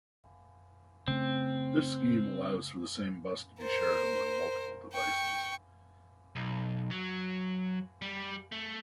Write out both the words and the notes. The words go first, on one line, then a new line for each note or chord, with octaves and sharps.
This scheme allows for the same bus to be shared among multiple devices.
C#3 A3 C4
A#4 C5
G5 C#6
B1
F#3
G3
A3